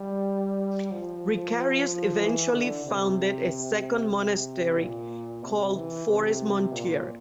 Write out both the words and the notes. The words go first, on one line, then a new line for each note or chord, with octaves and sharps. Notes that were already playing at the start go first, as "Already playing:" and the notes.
Richarius eventually founded a second monastery called Forest-Montier.
Already playing: G3
F3
E3
D3
C3
A#2
C3
E3
C3
A#2